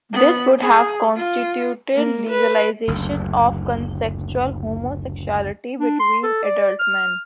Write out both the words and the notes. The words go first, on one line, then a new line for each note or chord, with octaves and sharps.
This would have constituted legalization of consensual homosexuality between adult men.
B3 B5
G#4
F4
A#3
B4
F#1 D2
D4
C6
A4
D5
F6